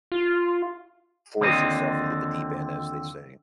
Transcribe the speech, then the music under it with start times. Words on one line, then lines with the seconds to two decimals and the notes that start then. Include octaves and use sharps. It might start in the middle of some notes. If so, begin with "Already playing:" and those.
force yourself into the deep end, as they say.
0.12 F4
1.41 D#2 D3 F3 C4 D#5